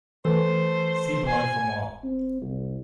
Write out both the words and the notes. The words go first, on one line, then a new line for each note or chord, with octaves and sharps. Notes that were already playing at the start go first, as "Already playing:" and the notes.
See below for more.
E3 A3 C5
G#5
C4
C2